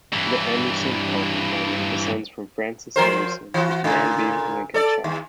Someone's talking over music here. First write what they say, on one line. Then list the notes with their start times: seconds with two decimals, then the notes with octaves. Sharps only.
The Anderson-Pelham family descends from Francis Anderson of Manby, Lincolnshire.
0.13 G2 E3
2.96 F3 A#4 C5
3.54 E3 F#4
3.84 A#2 C#3
4.74 A4 D5
5.04 D#2